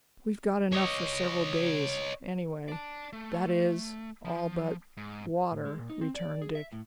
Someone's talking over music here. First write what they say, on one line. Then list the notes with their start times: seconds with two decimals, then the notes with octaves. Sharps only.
"We've got enough for several days, anyway--that is, all but--water," returned Dick.
0.73 C#5 D#5
2.68 D5 A5
3.13 A3
4.25 F3
4.97 G#2
5.51 A2
5.65 G#3
5.78 A#2
5.90 D#4
6.01 C4
6.15 D5
6.42 G#4
6.55 E5
6.73 A2